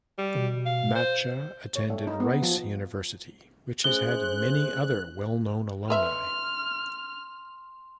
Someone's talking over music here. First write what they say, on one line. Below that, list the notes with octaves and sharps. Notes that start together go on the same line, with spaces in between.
Macha attended Rice University, which has had many other well-known alumni.
G3
B2
F5
C5
C#5
A3
D#4
B3
F3
A3 C#4 G#4 C5 F#6 G7
B4 E5 C6 F6